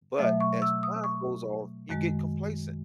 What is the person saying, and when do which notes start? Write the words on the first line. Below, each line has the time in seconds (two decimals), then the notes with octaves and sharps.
But as time goes off, you get complacent.
0.19 B2 F#3 A3 E5
0.40 C#6
0.62 E6
0.83 D#6
1.04 C#6
1.89 F#2 D#3 G#3